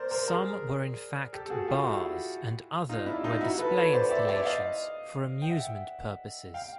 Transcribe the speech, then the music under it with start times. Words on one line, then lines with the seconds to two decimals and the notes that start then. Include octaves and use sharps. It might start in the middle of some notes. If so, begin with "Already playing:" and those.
Some were in fact bars and other were display installations for amusement purposes.
Already playing: A#4 C5 D5
0.11 A#4 C5
0.28 G#4 A#4
1.33 G4 A4
1.46 A4
1.50 F#4 G#4
1.68 F4 G4
1.84 E4 F#4
2.89 D#4 F4
3.06 D4 E4
3.24 D#4 F4
3.41 E4 F#4
3.58 A4 B4
3.76 B4 C#5
3.93 C5 D5
4.11 D5 E5
4.28 D5 E5
4.45 D#5 F5
5.42 G5
5.50 E5 F#5
6.54 F5 G5